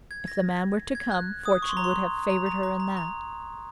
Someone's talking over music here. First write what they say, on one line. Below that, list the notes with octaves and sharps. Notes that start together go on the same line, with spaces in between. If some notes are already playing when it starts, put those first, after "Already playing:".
If the man were to come, fortune would have favoured her in that.
G#6
A#6
G#6
F#6
D#6
C#6
C6
A#5
C6
A#5
A#5
A#5
A#5
A#5